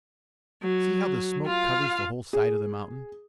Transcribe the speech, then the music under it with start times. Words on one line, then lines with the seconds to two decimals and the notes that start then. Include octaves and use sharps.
See how the smoke covers the whole side of the mountain.
0.63 F#3
1.46 F4 F5
2.33 G#4